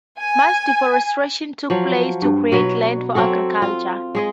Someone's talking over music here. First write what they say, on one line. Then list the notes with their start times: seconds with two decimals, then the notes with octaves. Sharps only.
Mass deforestation took place, to create land for agriculture.
0.19 G#5
1.70 F3 F#3
2.22 G2
2.52 B2 F#3 B4
3.15 F#3 C4 F#4 A4
3.62 F4
4.15 G#3 G#4 D#5